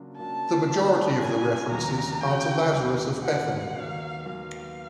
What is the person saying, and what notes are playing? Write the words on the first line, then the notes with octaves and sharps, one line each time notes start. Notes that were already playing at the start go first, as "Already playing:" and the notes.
The majority of the references are to Lazarus of Bethany.
Already playing: C#3 F#3 A#3 D4 F4
C#3 F#3 A#3 D4 F4 A5
C#3 F#3 A#3 D4 F4
C#3 F#3 A#3 D4 F4 G#5
D#2 C#3 F#3 A#5
D#2 C#3 F#3 G5
D#2 C#3 F#3
D#2 C#3 F#3 F#5
D#2 D#3 F#3 B3 F5
D#2 D#3 F#3 B3 F5